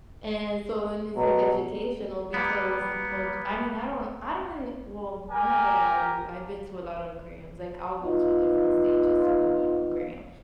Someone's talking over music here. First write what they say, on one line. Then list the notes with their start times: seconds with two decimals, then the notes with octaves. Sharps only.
and so then it's like educational because much I mean, I don't I don't really well, I'm not gonna lie to you. I've been to a lot of aquariums, like I'll go to a different state just to go to a new aquarium,
1.16 B2 F#3
2.34 G3 A#3 B3
5.31 G4 A#4 G#5 A#5
8.02 B3 D#4 F4